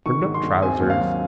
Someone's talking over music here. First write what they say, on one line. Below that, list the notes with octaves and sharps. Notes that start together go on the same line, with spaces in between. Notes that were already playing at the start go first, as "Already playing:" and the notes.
Turnedup trousers.
D#3 C#6
G#2
C6
G#2
C4 G#5
D#2
F5
F#3